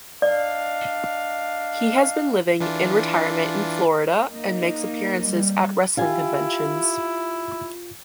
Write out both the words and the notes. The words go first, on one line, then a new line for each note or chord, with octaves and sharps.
He has been living in retirement in Florida and makes appearances at wrestling conventions.
D4 D5 D#5 F5
E3 D4 F4
A#3 D#4
G3
E4 F4 G4 G#5